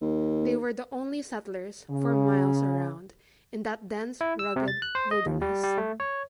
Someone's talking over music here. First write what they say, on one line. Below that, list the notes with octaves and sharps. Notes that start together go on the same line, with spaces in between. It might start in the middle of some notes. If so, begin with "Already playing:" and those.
They were the only settlers, for miles around, in that dense, rugged wilderness.
D#2
C#3
E4
E6
C3
A6
F#6
C5
D#5
D#2
G3
G3
A3
C#5